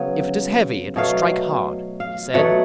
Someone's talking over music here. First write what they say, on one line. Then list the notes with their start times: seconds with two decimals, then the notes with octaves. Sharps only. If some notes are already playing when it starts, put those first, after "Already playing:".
"If it is heavy it will strike hard," he said.
Already playing: C#3 F#3 B3
0.96 B2 F#3 A3 F5
2.00 F5
2.34 B2 F#3 A3 F#5